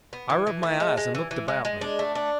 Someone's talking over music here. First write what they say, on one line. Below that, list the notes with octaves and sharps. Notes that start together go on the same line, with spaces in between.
I rubbed my eyes and looked about me.
B3
E3
E3
A3
G#3
G#3
E3
E3
G#3
G#3
D4
A3
D4